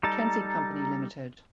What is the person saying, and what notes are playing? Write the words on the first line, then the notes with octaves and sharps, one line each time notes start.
McKenzie Company, Limited.
G3 D#4 A4 A#5 A6